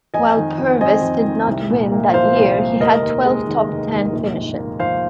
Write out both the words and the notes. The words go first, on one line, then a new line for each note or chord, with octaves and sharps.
While Purvis did not win that year, he had twelve top-ten finishes.
F2 D#5 G#5
D#3
F2
C4 D#5 G#5
F2
D#3
C2
A#2
A#3
F3 C5 F5
C2
A#2
F1 A#4 D#5
D#2
G#3
D#3
F1
D#2
A#1
G#2
A#3
F3 C5 F5